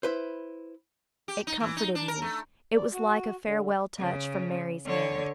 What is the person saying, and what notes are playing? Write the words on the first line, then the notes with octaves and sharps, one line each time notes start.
It comforted me--it was like a farewell touch from Mary's hand.
E4 B4 C5
G4
D#4
E3
D#4
D4
A#4
A3
D5
F#4
D3
C#3
D3 C#5